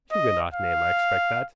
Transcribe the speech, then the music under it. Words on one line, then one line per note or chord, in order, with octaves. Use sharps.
Huguenot name I expect that.
D#5
F5